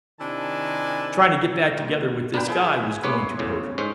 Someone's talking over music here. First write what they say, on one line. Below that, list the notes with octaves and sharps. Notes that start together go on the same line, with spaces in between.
trying to get back together with this guy was going to hurt her.
C3 D#3 D4 E4 G#5 A5
D#2
B3 D4 A#4 B4 G5
F3 E4 G#4 G#5
B3 C#4 B4 C#5 C6 D6
E2 A2 C#3
G#2 C#4 C5